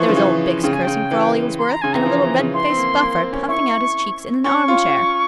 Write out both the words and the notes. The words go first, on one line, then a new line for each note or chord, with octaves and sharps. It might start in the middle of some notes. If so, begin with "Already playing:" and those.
There was old Bick cursing for all he was worth, and a little red-faced buffer puffing out his cheeks in an armchair.'
Already playing: E3 F3 C#6
C#3
E3
C#3 G5
G#5
C#3 G5
E3
C6
A#5
C#3 G#5
E3 A#5
F3
E3
C#3
E3 C6
C4
A#3
A#3
C4
C#4
E4 C#6
C#4 C#6
F4